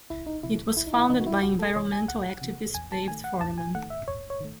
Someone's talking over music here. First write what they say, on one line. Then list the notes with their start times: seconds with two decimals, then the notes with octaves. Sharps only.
It was founded by environmental activist Dave Foreman.
0.10 C#2 E4
0.26 D#4
0.43 C3 E3 E4
0.76 C#2 E4
0.87 D#4
0.93 E4
1.10 C3 E3 D#4
1.21 F#4
1.26 E4
1.42 C#2 F#4
1.59 A4
1.76 C3 E3 C#5
1.92 G#5
2.08 C#2 F#5
2.42 C3 E3
2.74 E2 G#5
2.92 A5
3.08 D#3 A3 G#5
3.24 F#5
3.41 E2 A5
3.58 G#5
3.75 D#3 A3 F#5
3.90 E5
4.08 E2 C#5
4.30 C#5
4.40 D#3 A3